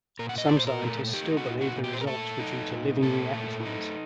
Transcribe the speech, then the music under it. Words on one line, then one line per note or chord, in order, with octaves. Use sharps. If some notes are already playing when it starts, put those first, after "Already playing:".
Some scientists still believe the results were due to living reactions.
A#2 A#4
F#5
D#5
A#2 D5
C5
A#4
A3
D#4 G4
F#4
A#2
F#4
A#2
G4
C5
A#4
A3 A4
D#4
A#2
A#2 A4
A3
D#4